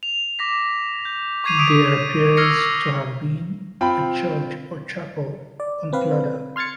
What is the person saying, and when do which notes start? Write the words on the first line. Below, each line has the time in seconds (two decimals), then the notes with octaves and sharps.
There appears to have been a church or chapel on Pladda.
0.03 F7
0.39 D6 A#6 B6
1.05 G6
1.44 C#6 D6 G#6 C7 D#7 F7
1.59 D#6 B6 D7
2.37 E6 F6 G#6 A#6 C7 C#7
3.81 C4 F4 G5 B5
5.60 D5
5.93 C4 B4 F5
6.56 C6 F6 G#6 A6 C#7